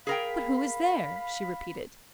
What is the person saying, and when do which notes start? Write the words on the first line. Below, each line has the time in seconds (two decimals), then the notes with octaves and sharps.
"But who is there?" she repeated.
0.07 G#4 A#4 F5 G5 B5